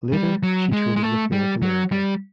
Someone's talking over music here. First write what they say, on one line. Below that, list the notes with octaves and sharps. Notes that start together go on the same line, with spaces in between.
Later she traded with North America.
G3
F#3
G#3
G#3
A3
G3
F#3
G3